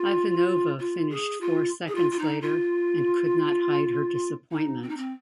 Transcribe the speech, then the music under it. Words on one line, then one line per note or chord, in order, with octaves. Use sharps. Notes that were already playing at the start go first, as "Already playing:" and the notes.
Ivanova finished four seconds later and could not hide her disappointment.
Already playing: F4
F4
G#4
F4
G#4
F4
F4
D#4
F4
D#4
C4
D#4
C4